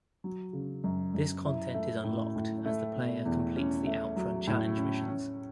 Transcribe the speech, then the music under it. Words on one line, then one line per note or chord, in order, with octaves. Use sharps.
This content is unlocked as the player completes the OutRun Challenge missions.
F#3
C#3
F#2
F#2
E4
A3
A2
A2
A3
B2
E2
C#4
A3
F#3
A2
C#4
C#4